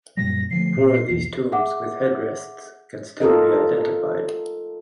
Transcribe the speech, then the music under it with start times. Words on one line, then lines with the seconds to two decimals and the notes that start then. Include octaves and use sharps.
Four of these tombs with headrests can still be identified.
0.17 F#2 A#2 G3 A#6
0.51 D3 F3 A3 C7
0.76 A#2
1.10 B1 E2
1.52 G#4 E5 F#5 D6
3.20 F4 A4 A#4 D#5